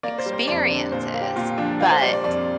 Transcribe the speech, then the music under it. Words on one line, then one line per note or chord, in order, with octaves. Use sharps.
experiences, but
A#3 D5
C5
G3
C5
F2 D5
D3
A#2 C5
A#3
G4
A#2 F4
F3 D4
A#3 F4
C5
G3 D5
D5
F2 D5